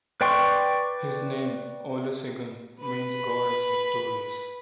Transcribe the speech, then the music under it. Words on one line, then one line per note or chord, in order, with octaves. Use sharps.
His name, Olusegun, means "God is victorious".
B4 D5 G5 C6 C#6
B4 B5